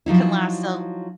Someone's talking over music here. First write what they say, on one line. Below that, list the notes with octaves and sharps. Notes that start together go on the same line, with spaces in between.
can last so l
F3 F#3 D#4 E4